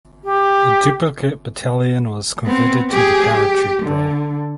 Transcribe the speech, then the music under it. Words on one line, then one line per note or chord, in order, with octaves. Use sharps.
A duplicate battalion was converted to the paratroop role.
G4
B3 C4
G4 G#4
G4
D3